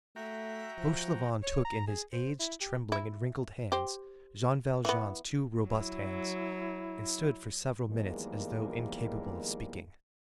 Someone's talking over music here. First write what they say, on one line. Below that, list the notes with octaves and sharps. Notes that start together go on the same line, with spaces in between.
Fauchelevent took in his aged, trembling, and wrinkled hands Jean Valjean's two robust hands, and stood for several minutes as though incapable of speaking.
A3 F#4 E5 G5 A#5
F3
C#5
A#5
G#4
C5
E4
G4
E4
G4 C5
E3 B3
F#3 E4
E2 D#3 F3 G3 G#3 A#3